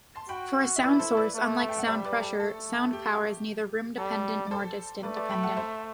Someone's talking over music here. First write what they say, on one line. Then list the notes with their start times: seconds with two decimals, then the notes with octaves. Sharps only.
For a sound source, unlike sound pressure, sound power is neither room-dependent nor distance-dependent.
0.16 A5 C6
0.29 F#4 G5 B5
0.76 E5
0.82 E4 B4 D5
0.99 A4 C5
1.17 B4 D5
1.34 A3
1.60 A5
1.69 G5
1.78 F#5
1.87 G3 C5 E5
2.05 B4 D5
2.22 A4
2.40 A3 A4
2.93 G4
3.98 G3 A4
4.46 D5
4.51 A4 C5
5.03 A3 B4 D5
5.16 B4 D5
5.30 G5 B5
5.43 F#5 A5
5.56 C5 E5